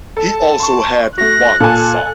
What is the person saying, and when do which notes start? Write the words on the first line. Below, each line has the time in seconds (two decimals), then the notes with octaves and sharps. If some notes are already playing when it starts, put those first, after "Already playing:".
He also had one son.
0.17 A4 A5
0.60 C6 C#6
1.18 A3 F#4 F#6 A#6
1.60 A#2 A4 G#5 A5